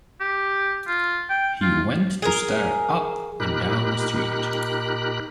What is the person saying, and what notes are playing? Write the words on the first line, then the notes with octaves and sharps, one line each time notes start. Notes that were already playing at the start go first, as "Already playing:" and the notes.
He went to stare up and down the street.
G4
F4
G5
F4
G#4 A#4
A#2 D#4 G4 A#4 B5 F#6